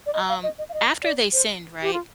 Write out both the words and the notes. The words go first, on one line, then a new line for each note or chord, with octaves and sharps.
um, after they sinned, right?
D5
D#5
F5
D#5
D#5
F5
D#5
D5
C5
G4
F4